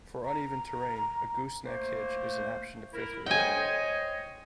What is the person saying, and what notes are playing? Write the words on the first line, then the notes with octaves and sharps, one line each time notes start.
For uneven terrain a gooseneck hitch is an option to fifth-wheel.
A#5
A3 A#3 C5
E4 A#4
C5 C#5 D#5 G5 G#5